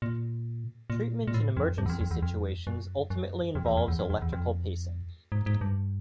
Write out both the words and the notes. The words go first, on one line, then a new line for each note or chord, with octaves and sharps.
Treatment in emergency situations ultimately involves electrical pacing.
A#2
A#2
A#2
A2
F2
G2
E2
F2
F2
E2
F2
F#2
F#2
F2
E2
F2
E2
F2
F2
E2
F2
G#2
G#2
G2